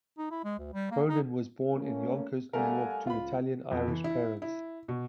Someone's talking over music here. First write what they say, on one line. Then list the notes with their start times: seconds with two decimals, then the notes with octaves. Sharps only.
Cronin was born in Yonkers, New York to Italian-Irish parents.
0.18 D#4
0.31 E4
0.44 G#3
0.59 D2
0.73 G3
0.91 A#3
1.09 D#4
1.73 A3 A#3 C#4
2.53 G3 A3 A#4 F5 F#5 G#5
3.07 C#2 F4 B5
3.71 F2
3.88 E3
4.04 E4
4.42 E4
4.88 B2